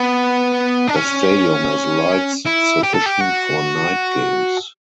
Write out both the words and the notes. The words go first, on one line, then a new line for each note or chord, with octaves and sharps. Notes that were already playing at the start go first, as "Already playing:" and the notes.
The stadium has lights sufficient for night games.
Already playing: B3
D4
C#4
E4
G4
A4
G4
F#4